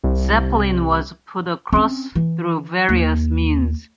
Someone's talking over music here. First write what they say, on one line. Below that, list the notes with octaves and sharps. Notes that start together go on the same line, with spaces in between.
Zeppelin was put across through various means.
C2
C4 C#4
E3
D#2